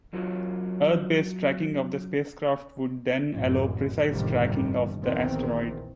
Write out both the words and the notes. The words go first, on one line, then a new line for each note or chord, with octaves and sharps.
Earth-based tracking of the spacecraft would then allow precise tracking of the asteroid.
F#2 F#3 F4 C#5
A1 F#2
G1 F2 A2 C3 D#3 G3
A#1 E2 D#3 C4